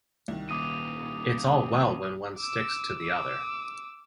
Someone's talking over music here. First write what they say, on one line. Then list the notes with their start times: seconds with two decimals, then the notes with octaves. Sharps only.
It's all well when one sticks to the other.
0.28 C2 D#3
0.49 D#2 A#2 D6 D#6 D#7
2.38 D6 E6
3.00 D6 E6